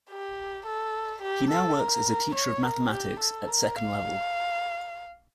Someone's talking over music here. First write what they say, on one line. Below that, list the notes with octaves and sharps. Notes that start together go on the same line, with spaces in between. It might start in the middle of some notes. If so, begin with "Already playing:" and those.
He now works as a teacher of mathematics at second level.
G4
A4
G4
A4
A#4
C#5
A#4
G4
A4
A#4
F5